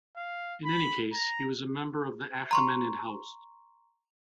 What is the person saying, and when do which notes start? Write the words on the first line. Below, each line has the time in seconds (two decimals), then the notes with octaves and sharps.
In any case, he was a member of the Achaemenid House.
0.16 F5
0.65 B5
1.13 A#5
2.51 A#5 C6 C#6